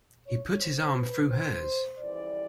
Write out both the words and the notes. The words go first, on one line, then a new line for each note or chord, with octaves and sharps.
He put his arm through hers.
C#5
C5
B4
C5
F2 C#3 E3 G3 D5